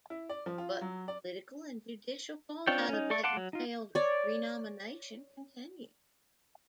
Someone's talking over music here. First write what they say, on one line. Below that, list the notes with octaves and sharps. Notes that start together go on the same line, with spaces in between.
But the political and judicial fallout of Layton's failed renomination continued.
E4
D5
F3
F4
F#3
D5
C4 D4 F4 C#5 G5
C#4 D#4
A4 D5 C#6
F5 F#5 A5 C6 D6
F#3
D#4 F4
C#5 D5